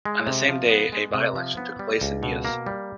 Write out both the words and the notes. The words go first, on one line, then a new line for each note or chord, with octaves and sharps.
On the same day, a by-election took place in Meath.
G#3
C3
F3
B3
G#3
C3
F3
B3
G3
C#2
B2
A#3
G3